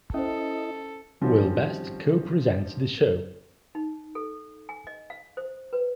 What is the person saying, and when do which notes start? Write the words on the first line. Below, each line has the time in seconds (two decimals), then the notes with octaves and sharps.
Will Best co-presents the show.
0.14 C#4 E4 A4 C5 D#5
1.21 D#3 F3 G3 C4 C#4 F#4
3.75 D#4
4.15 A4
4.69 G#5
4.87 D#5
5.10 F5
5.37 C5
5.73 B4